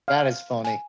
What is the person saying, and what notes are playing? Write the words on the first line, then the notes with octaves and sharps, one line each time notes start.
That is funny.
F5
G#5